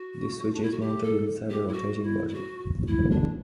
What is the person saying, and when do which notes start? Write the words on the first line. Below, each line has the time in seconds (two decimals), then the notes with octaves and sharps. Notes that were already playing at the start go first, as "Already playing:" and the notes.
This switch is mounted inside a rotating body.
Already playing: F#4
0.54 D4
0.63 E4
0.72 F#4
0.81 G4
1.04 A4
1.50 G4
1.68 E4
1.73 F#4
2.03 E4
2.28 E4
2.34 F#4
2.87 E4
3.11 D4